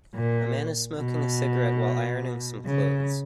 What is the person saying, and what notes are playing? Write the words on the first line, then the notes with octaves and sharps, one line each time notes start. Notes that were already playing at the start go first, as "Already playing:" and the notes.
A man is smoking a cigarette while ironing some clothes.
A#2
B2
C#3